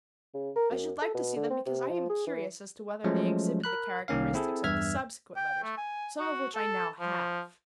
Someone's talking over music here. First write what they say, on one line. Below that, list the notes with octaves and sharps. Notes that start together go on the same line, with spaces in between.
I should like to see them because I am curious as to whether they exhibit the characteristics of the subsequent letters, some of which I now have.
C#3
A#4
F#2
A4
B2
D3
C4
C3
F3
G#4
E3
F3 F#3 G#3 A3 C#4
A#4 B5 F#6
C2 D#3 A#3 C#4 F5
C4 E4 G#4 A4
E2 G2 E5 F6 G#6
G5
A3
G#5
F#4
A4
F3